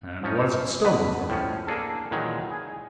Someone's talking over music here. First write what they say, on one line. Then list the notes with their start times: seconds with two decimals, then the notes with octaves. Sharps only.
"And was it stolen from you?"
0.23 F3 C#4 D#4
0.84 B2 D3 B4
1.29 A2 F3 C#4
1.67 A#3 D4 G#4 A4
2.11 A#2 D#3 E3 F#3 G#3
2.50 G#4 G#5